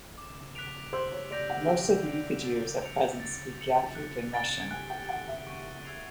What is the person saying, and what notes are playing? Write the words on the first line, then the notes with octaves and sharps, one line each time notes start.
Most of the Yukaghirs at present speak Yakut and Russian.
D6
F#6 B6 D7 F7
C5 E6
C#5
D5 G6 A#6 D7 F7
F#5
G5 E6
G6 A#6 D7 F7
A6
C#7 F7
A6
C#7 F7
F#6
A6 D7 G7
G#5 F#6
G5
F#5 A6 D7 G7
E5
C#6
E6 G#6 C7 F7